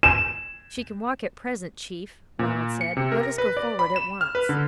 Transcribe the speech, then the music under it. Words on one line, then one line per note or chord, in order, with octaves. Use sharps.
"She can walk at present, chief," Ronald said, "let us go forward at once."
E7
A#2
C#7
C3
A#4
A#6
B4
D5
B5
E7
F6
B4
D3